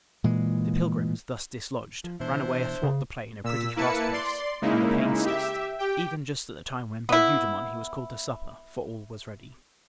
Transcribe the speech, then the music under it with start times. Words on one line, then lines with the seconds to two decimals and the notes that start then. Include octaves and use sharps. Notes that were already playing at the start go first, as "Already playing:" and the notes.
The pilgrims, thus dislodged, ran away athwart the plain a pretty fast pace, and the pain ceased, even just at the time when by Eudemon he was called to supper, for all was ready.
0.24 A#2 E3 G#3
2.04 F3
2.20 B2 E3 D4 E4 C5
2.83 C#3
3.44 A#2 E6 B6
3.76 A#3 E4 B4 A5 C#7
4.13 D5 C6
4.62 C#3 G#3 A#3 D#4 E4
5.25 G4 E5
5.79 G4 G5
7.09 B3 E4